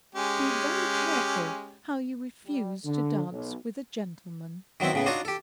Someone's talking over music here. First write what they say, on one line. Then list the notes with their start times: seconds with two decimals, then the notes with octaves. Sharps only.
Be very careful how you refuse to dance with a gentleman.
0.15 G#3 C#4 G4
2.45 G3
2.85 D3
3.31 B1
4.80 D#3 F#3 B3 C4 E4
4.93 A2 C#3 B3
5.06 D4 D#4 F4 F#4 C#5 D#5
5.25 G4 A4